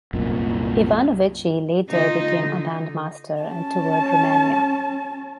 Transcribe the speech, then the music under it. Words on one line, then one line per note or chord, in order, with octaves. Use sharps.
Ivanovici later became a bandmaster, and toured Romania.
C2 F#2 A#2
D3 D#4 F4
D3
C#4 A5